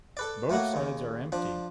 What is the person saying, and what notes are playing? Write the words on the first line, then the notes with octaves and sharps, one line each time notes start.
Both sides are empty.
A4 B4 D5
A2 A3 A#3 E4 F#4
D#2 C#3
F3 D4